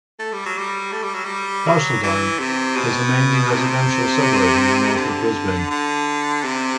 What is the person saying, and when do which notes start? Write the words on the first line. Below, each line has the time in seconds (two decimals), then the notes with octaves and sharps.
Carseldine is a mainly residential suburb in the north of Brisbane.
0.19 A3
0.33 G3
0.46 F#3
0.58 G3
0.92 A3
1.03 G3
1.14 F#3
1.25 G3
1.67 F#3
2.03 E3
2.39 C3
2.76 B2
3.51 C3
4.97 D3
5.71 D3
6.44 C3